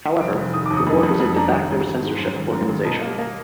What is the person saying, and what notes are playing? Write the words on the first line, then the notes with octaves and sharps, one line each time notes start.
However, the Board was a "de facto" censorship organization.
F1 D7
F1
D#3 D#6
D#2 D6
D#6
F2
F2
F2
D4 A#5
G#1
G#1
G#1
G#2
F#2
G#1
F#2 A#5
G#1
B2 A#5
A#3
A#3